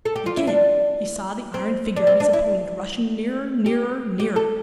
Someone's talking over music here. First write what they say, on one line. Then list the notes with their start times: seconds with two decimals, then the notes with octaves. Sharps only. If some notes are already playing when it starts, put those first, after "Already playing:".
Again he saw the iron figure of his opponent rushing nearer, nearer, nearer.
0.05 A4
0.16 G4
0.26 F4
0.37 E4
0.47 D4
1.54 C4
1.96 D4
2.07 C4
2.20 D4
2.33 E4
3.66 G4
4.20 G4
4.36 A4